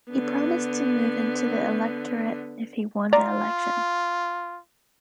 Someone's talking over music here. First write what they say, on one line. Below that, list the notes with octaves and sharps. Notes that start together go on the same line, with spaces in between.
He promised to move into the electorate if he won the election.
D3 B3
F4 D5 A#5